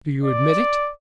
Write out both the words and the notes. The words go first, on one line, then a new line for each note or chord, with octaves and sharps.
Do you admit it?
D5